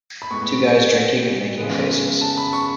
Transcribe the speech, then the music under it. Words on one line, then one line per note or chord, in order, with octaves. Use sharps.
Two guys drinking and making faces.
B5
A2 G#3 B3 C#6
C#3 G#3 B3
A5
B5
C#6